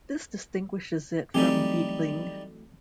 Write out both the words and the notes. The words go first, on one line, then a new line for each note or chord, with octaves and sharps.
This distinguishes it from Beetling.
E3 F#3 G3 A3 C4 D#4 G4